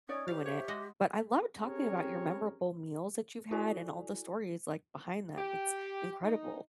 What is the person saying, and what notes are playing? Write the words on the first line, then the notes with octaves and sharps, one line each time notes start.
ruin it, but I loved talking about your memorable meals that you've had and all the stories, like, behind them, it's incredible.
C#4 D#4 C#5 D5 D#6
G4 C5 F5
C#5 E5
G#3 F#4 D#5 D6
C4 C#4 G4 G#4 A#4 C#5
E4 F#4 A4 D5 G#5
G4
D#4